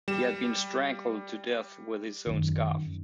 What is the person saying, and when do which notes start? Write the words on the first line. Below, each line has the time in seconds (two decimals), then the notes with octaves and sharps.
He had been strangled to death with his own scarf.
0.08 G3 E7
2.27 F#2 D#3